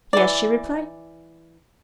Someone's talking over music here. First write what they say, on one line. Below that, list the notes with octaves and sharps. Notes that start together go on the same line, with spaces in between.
"Yes," she replied.
E3 D5